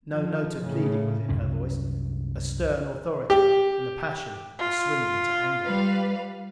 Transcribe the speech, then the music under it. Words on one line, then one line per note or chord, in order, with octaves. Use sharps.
No note of pleading was in her voice: a stern authority, and the passion was swinging to anger.
F3
A2 C#3
C2 F#2 C#4
G4
F4
G3 B4 F5